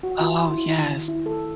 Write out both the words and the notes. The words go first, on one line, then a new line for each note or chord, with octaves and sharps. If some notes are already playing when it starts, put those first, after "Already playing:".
Oh, yes.
F#4
F4
E4
D#3
E4
A4